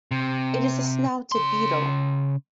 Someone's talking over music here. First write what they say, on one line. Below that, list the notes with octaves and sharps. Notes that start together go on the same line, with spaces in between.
It is a snouted beetle.
C3
C#3 C6